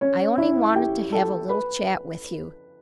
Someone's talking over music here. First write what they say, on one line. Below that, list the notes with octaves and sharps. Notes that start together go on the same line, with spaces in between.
I only wanted to have a little chat with you.
C#4 C#5
E4 E5
G4 G5
A4 A5
B4 B5